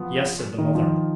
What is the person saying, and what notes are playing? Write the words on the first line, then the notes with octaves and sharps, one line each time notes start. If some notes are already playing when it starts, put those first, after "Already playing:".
"Yes," said the mother.
Already playing: F3 B3
D#3
F3